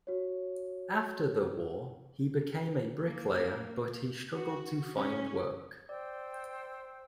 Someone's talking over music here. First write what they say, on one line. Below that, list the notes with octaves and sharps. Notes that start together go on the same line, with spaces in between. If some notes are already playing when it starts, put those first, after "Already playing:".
After the war he became a bricklayer but he struggled to find work.
F#4 C#5
A#3
F#4
C#4
C5 D5 G5 E6